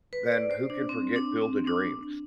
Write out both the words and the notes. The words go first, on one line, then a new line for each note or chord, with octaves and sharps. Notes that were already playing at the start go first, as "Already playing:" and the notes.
then who can forget Field of Dreams?
B4
D5
C5
D4
C4
D4
C4
D4